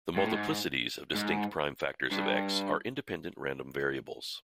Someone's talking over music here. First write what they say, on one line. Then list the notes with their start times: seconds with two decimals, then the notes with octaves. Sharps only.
The multiplicities of distinct prime factors of "X" are independent random variables.
0.16 G#2
0.24 A2
0.32 G#2
1.15 G#2
2.11 G2